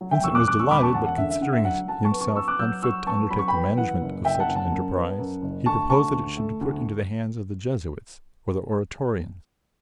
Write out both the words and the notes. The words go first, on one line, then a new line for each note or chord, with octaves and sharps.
Vincent was delighted, but considering himself unfit to undertake the management of such an enterprise, he proposed that it should be put into the hands of the Jesuits or the Oratorians.
F#3
E5 G5
E1 C#6 E6
D6 F#6
E1 D6 F#6
C#6 E6
E1 B5 D6
A5 C#6
E1 F#5 A5
F#5
D3 E5
E5
D3 F#5
E5
F#3 F#5
F#3 F#5 A5
A5 C#6
B3
A5 C#6
B3 C#6 E6
D6 F#6
F#3 E6 G6
F#3 C#6 E6
B3 A5 C#6
F#3 B5
C#6
G5 B5
B3
E3 F#5
F#1
F#1 E5 G5
F#5 A5
F#1
F#5 A5
F#2
B3
F#2
F#1
D2 A5 C#6
D2 A5 C#6
D2
A3
D2